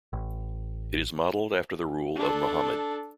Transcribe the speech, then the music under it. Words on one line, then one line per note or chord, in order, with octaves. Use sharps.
It is modeled after the rule of Muhammad.
A1
D4 A4